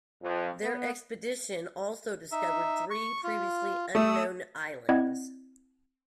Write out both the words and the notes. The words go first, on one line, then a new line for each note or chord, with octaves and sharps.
Their expedition also discovered three previously unknown islands.
F2
B3
D#4 E5
C#6
F4
A3 D#6 E6
C4 E4 D5 D#5 F#5 G#6